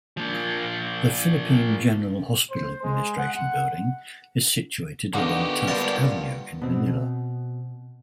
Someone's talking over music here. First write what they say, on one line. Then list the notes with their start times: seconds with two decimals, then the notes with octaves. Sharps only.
The Philippine General Hospital Administration Building is situated along Taft Avenue in Manila.
0.17 A#2 F3
2.51 C5
2.83 G#3
3.18 F#5
5.14 D3 A#3 B3 D#4 F#4 G4
5.68 G2 A#2 A#4 C5 A5
6.62 B2 C4